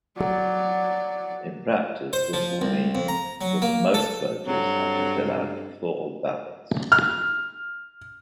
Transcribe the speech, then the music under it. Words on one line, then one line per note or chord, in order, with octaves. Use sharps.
In practice this will mean that most voters had to fill out four ballots.
F#3 D5
C5
F3
C2
F2
A#5
F#3
A#3
A4
G2 F#3 C4 A4
F6